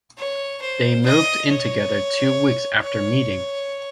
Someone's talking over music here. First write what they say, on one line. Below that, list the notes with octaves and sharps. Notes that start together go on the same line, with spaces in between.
They moved in together two weeks after meeting.
C#5
C5
D#5
C#5
C#5